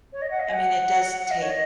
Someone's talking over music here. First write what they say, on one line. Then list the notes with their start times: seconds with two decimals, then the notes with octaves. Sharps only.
I mean, it does take
0.13 C#5
0.22 D#5
0.31 F#5
0.40 D#5
0.49 G#5
0.54 F#5
1.21 F#5
1.31 D#5
1.41 C#5
1.50 D#5